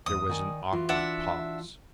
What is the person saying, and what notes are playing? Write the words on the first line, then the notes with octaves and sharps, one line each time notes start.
There was an awkward pause.
E2 D#6
D#3 D5 G#5
E3 F4 F#4
D4 E5 F#5